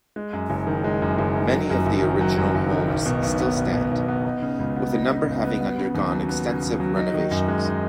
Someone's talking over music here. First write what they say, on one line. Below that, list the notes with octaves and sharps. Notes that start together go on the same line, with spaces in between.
Many of the original homes still stand, with a number having undergone extensive renovations.
G#3
F#2
F#1
D#3
G#3
F#2
F#1
D#3
F#3
F#2
F#1
D#3
F#3
F#2
F#1
D#3
B1
B2
B1
B3
B1
B2
B1
B3
D#4
C#3
C#2
B3
D#4
C#3
C#2
B3
B3
C#3
D#2
F#3
B3
C#3
D#2
F#3
D#4
D#3
F#2
G#3
D#4